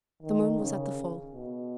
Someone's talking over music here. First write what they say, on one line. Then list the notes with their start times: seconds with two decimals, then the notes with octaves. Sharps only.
The moon was at the full.
0.22 D#3
0.59 C#3
1.33 B2